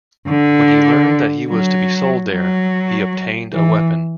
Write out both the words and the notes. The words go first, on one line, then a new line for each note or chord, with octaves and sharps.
When he learned that he was to be sold there, he obtained a weapon.
D3
F#3
F#3
E3